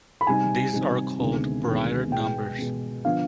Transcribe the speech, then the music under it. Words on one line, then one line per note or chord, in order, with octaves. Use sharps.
These are called Brier numbers.
B5
C3 G3 C4 D#4 G#5
C3 G3 C4 D#4
D2 C3 D#3 G#3 B3
D2 C3 D#3 G#3 B3
B2 G#3 B3 G5
B2 G#3 B3
D3 F3 B3 D4 F5